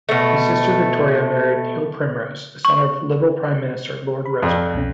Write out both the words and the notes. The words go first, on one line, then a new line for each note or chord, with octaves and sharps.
His sister Victoria married Neil Primrose, the son of Liberal Prime Minister Lord Rosebery.
B2 A3
C#6
B5
F2 D5 A5
C2 B2 C#4